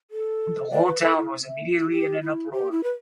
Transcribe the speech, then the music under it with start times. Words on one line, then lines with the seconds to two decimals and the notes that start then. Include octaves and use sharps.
The whole town was immediately in an uproar.
0.11 A4
0.71 D5
0.87 B4
1.01 A4
1.16 E4
1.47 E5
1.77 E4
1.91 G4
2.22 E4
2.52 G4
2.71 E4
2.84 B4